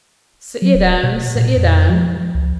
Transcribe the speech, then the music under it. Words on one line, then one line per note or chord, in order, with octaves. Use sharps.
'Sit ye down, sit ye down.
F#3
D1
B2
A#2
F2
F3
C#2